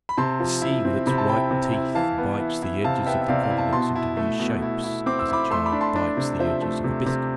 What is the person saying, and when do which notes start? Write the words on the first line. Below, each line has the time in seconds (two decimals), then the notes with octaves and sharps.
The Sea with its white teeth bites the edges of the continents into new shapes, as a child bites the edges of a biscuit.
0.09 B5
0.17 C3 A5 C6
0.40 F3
0.62 E4
0.85 C4
1.07 C3 B5
1.18 A5
1.29 E4 G5 B5
1.51 C3
1.73 E4
1.95 E3 F5 A5
2.18 B3
2.40 E4
2.63 E4
2.84 C3 F5 A5
3.06 B3 E5 G5
3.22 E5
3.28 C3 D5 F5
3.43 D5 F5
3.51 E4
3.58 F5 A5
3.73 B2 A5 C6
3.96 E4
4.17 A3
4.39 B2
4.62 E4
4.84 E4
5.06 C4 D6
5.19 E6
5.29 E4 B5 D6
5.51 A3 C6 E6
5.66 B5 D6
5.73 D4
5.81 A5 C6
5.96 D4
6.17 C3
6.40 F3 C5 E5
6.62 A3
6.84 C3
7.06 C3